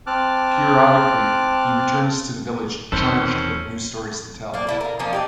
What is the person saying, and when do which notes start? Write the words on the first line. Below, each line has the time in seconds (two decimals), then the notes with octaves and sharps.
Periodically, he returns to the village charged with new stories to tell.
0.07 C4 A5 D6 F6 F#6
2.92 E2 D#3 C4 C#4 A4 B4 C5
4.54 A#3 D4
4.67 D3 E4 A4
4.81 A#4 F5
4.99 F3 A#3 C#4 D#4
5.13 D4 D#4 G4